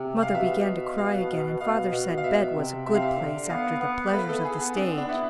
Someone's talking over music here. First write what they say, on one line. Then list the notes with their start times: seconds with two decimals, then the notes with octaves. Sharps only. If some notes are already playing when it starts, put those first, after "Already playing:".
Mother began to cry again, and father said bed was a good place after the pleasures of the stage.
Already playing: C3
0.22 F5
0.35 B2 E5
0.98 F5
1.61 B2 F5
1.92 B2
2.18 F5
2.23 B2 E5
2.55 C3
2.87 C3 E5
2.94 F5
3.02 E5
3.18 D3
3.50 B3 F5
3.81 B3
4.13 A3 B4
4.29 B3 A4
4.45 G#4
4.60 B3
4.76 C4 D4
4.92 B3
4.97 D4
5.08 B3 E4